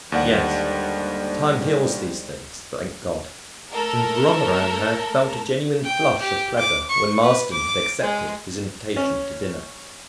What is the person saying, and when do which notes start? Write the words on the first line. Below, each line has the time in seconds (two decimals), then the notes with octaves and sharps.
Yes, time heals these things, thank God; and Romarin had felt a genuine flush of pleasure when Marsden had accepted his invitation to dinner.
0.12 D#2 G#2 D3 G3 D5 F#5
3.71 A3 A4 A#4
5.84 G5
6.19 G4
6.58 D6
6.89 C#6
7.22 B4
7.51 D6
8.01 G#3
8.96 C#4